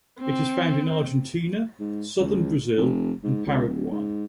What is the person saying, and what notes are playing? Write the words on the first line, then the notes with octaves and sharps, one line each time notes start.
It is found in Argentina, southern Brazil and Paraguay.
C4
G#2
C#2
F1
G#2
C#2
D1
G#2